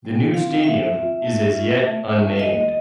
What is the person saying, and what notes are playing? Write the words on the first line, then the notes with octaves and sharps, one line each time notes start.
The new stadium is as yet unnamed.
G3
C4 F4 F5
G3 E5
C4 F4
A3
C#4 F4
A3
C#4 F4
G3 D#5